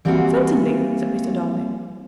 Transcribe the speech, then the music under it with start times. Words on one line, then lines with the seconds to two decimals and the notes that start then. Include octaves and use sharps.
"Certainly," said Mr. Darling.
0.05 E3 G3 A#3 C4 F4 F#4